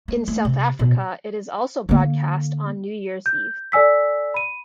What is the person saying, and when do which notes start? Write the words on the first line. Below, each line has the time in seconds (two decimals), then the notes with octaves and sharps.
In South Africa it is also broadcast on New Year's Eve.
0.08 A3
0.28 A3
0.45 C3
0.79 B2
1.89 D3 A#3
3.26 G6
3.72 A4 D5 G#5 E6 B6
4.34 B5 D#7